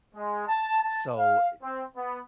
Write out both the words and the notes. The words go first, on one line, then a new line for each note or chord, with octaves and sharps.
So, eh eh
G#3
A5
A5
F5
C4
B3